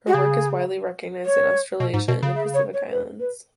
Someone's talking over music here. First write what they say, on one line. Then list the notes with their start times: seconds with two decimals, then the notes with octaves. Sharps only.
Her work is widely recognized in Australasia and the Pacific Islands.
0.07 F#4
0.13 C#3 G#4
1.25 C#5
1.80 B2
1.93 G#2
2.08 B2
2.22 C#3
2.35 E5
2.54 C#5
2.73 C#5
2.91 B4
3.19 B4